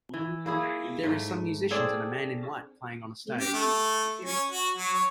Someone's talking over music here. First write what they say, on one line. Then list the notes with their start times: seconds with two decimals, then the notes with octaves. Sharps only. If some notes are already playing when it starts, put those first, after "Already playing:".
There is some musicians and a man in white playing on a stage.
0.14 E3
0.46 A#3 E4 G#4
1.03 G#2 A3
1.71 C4 D4 G#4 A4
3.40 G4
3.53 A3
4.25 C#4
4.52 F#4
4.77 F#3
4.93 C#5